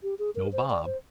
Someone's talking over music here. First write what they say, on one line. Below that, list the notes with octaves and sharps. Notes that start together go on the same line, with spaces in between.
No Bob.
G4
G#4
A#4
C5
D5
C5